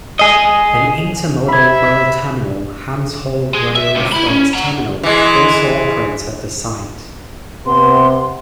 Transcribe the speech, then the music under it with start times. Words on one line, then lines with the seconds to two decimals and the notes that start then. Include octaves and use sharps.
An intermodal rail terminal Hams Hall Rail Freight Terminal also operates at the site.
0.19 G#4 D#5
1.48 E5 B5 G#6
3.55 G#3
3.76 E5
3.96 C#2 C3
4.12 E4 B5
4.26 C#4 D#4
4.54 F#5 A#5
5.03 E3 G#3
7.66 C3 B3 C6